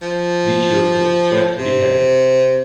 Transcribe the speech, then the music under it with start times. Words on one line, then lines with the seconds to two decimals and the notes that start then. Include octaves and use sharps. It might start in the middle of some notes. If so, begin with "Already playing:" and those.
Be cheerful. Strive to be happy.
0.02 F3
1.58 C3